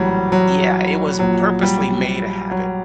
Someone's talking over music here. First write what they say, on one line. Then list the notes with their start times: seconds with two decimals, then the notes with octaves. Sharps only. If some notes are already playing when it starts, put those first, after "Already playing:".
Yeah, it was purposely made a habit.
Already playing: A#1 A2 E3 F#3 G3
0.32 F#3
1.19 A#1 A#2 F#3
1.63 G3
2.51 F#3